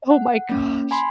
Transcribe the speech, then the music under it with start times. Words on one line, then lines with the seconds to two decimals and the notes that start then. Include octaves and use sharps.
oh my gosh.
0.10 F#5
0.49 A#3 C#4
0.91 G#5 B5 C6